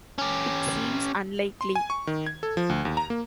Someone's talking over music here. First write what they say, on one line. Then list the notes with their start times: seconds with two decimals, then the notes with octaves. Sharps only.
It seems unlikely.
0.18 C#4 G4
1.61 C6
1.75 G#5
1.90 C#6
2.07 D#3
2.26 G#6
2.43 A4
2.57 F3
2.69 D2
2.85 D#2
2.97 A#5
3.10 A#3